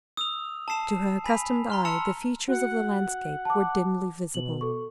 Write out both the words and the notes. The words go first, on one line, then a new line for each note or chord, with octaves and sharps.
To her accustomed eye, the features of the landscape were dimly visible.
D#6 E6 F7
A5 D#6 C7 E7
G#5 B5 B6 F7
A#5 C6 F6
A5 E6 C#7 E7 F7
F#4 F#5
A5 D6
B2 F#7
A4 C#6